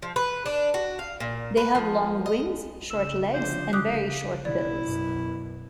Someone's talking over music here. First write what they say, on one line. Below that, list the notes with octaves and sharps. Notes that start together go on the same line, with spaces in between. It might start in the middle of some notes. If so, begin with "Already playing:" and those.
They have long wings, short legs, and very short bills.
F3
B4
D4
F#4
F5
A#2
B4
F3
D#5
C#3 E6
D3 F3 C5
C#3 G4 D6 D#6 F#6
B2 E4 D5
F#2 B2